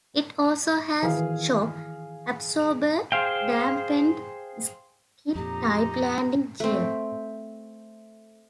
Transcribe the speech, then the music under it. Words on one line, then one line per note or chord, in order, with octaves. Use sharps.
It also has shock absorber-dampened, skid-type landing gear.
D#3 E3 G#4 F5
G#4 C5 F5 G5
F2 A#2 D#4 G4 A#5
A3 C4